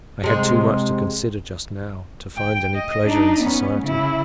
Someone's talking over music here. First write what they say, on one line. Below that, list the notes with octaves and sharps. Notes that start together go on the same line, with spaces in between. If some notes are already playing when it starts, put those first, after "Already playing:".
I had too much to consider just now, to find any pleasure in society.
C3 G#3
G5
D#5
D4 D#4
B3 C#4
C#3 E4